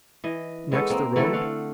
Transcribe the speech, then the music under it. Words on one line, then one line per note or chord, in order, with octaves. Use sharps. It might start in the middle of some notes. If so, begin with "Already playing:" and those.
"Next the road?"
E3 D#5
G#3 B3 C#4 A4
A#3 C4
D3 E3 A3 A4
A3 F5 F#5